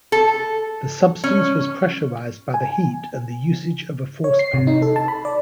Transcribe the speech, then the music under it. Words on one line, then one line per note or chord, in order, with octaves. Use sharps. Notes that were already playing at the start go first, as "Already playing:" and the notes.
The substance was pressurized by the heat and the usage of a force pump.
A4
C#4
G#5
C#5
C7
C3
D#4
A4
A5
B5
D5